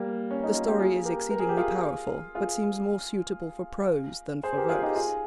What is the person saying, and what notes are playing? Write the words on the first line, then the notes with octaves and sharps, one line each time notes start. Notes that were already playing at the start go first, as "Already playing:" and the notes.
The story is exceedingly powerful, but seems more suitable for prose than for verse.
Already playing: G3 A#3
C#4
D#4
F4
G4
F4 G#4
G4 A#4
A#4
G#4
G4
F4 G#4
F4 G#4
G#4 C5
G4 A#4
F4 G#4
D#4 G4
F4 G#4